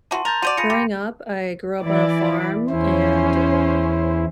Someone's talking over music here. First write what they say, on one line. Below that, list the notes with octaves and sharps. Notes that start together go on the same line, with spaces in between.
growing up, I grew up on a farm and
E3 F#4 A5 C6
A#4 G6 A6 F7
F#4 C5 D5 C6 D#7
F4 G#4 B5 A#6 C#7
G4
E3 E4 D5
E2 C#4 E4 C5